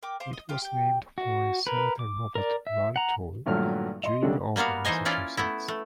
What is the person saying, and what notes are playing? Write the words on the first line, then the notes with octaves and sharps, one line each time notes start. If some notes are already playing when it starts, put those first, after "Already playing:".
It was named for Senator Robert Rantoul, Junior of Massachusetts.
A#4 G5 D6
C5 F5 C6 D6
D#5
F4 G4 F5
G4 G5
F#4
A#4 B4
D6
A#4 D5
E5
F#5 A#5
G#1 G2 A#2 F#3 A3 F6
D#5 C6
D2 C#3 F#3 G3 D4 A4
G3 A#3 B3 F#4 F5
E3 D#4 C5 D#5 G#5
C#4 E4 F4 D5
A3 B3 E4
A3